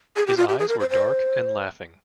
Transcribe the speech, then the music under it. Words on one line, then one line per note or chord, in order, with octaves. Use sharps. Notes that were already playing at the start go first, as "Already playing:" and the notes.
His eyes were dark and laughing.
G#4
G4
F4
G4
G#4
A#4
C5
C5